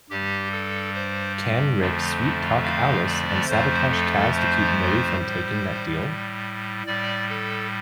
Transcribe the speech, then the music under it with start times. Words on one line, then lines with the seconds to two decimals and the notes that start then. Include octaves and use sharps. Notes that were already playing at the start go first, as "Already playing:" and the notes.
Can Rick sweet-talk Alice and sabotage Kaz to keep Millie from taking that deal?
0.10 G2 G3 G4
0.52 A4
0.95 C5
1.80 F2 D3 F3 A3
2.64 F5
3.06 D5
3.48 F2 F3 A3 C5
3.91 A4
4.33 C5
5.17 A2 G3
6.86 A2 G3 D5
7.29 A4